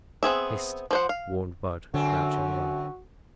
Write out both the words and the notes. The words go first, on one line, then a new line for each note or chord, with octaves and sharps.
"Hist!" warned Bud, crouching low.
B3 C4 G#4 E5
F3 C5 F#5
F5
F#2 D3 C4 C#4 F#4